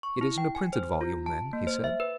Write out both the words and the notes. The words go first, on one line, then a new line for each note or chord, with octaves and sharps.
"It isn't a printed volume, then?" he said.
C#6
E4
G5
G#5
C5
F4
A5
A#3
C5
E5
B4